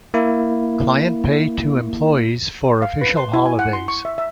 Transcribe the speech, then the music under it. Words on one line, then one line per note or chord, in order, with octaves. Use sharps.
Client pay to employees for official holidays.
A#3 E4
F5
B4
C6
E4
G#5
F#5
C6
C#6
E5
E5